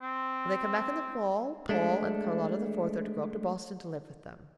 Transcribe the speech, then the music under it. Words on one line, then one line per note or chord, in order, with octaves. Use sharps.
When they come back in the fall Paul and Charlotta the Fourth are to go up to Boston to live with them.
C4
G#3 A3 D4